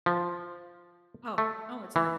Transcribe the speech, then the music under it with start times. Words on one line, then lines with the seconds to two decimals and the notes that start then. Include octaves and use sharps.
Oh, oh, it's an
0.06 F3
1.38 A3
1.96 E3